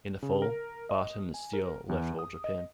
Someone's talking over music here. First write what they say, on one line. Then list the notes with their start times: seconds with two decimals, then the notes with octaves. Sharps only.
In the fall, Barton and Steele left All Japan.
0.23 C#3
0.42 A#4
0.89 D#5
1.34 G#5
1.53 A#4
1.89 E2
2.19 D#6
2.44 D#5